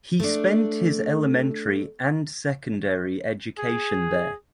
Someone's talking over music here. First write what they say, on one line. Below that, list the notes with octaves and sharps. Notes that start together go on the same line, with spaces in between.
He spent his elementary and secondary education there.
A3 D4
G#4